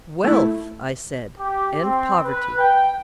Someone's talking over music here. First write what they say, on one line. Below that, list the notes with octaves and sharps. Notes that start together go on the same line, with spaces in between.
Wealth, I said, and poverty.
A3 E4
G4
C4
B4
G5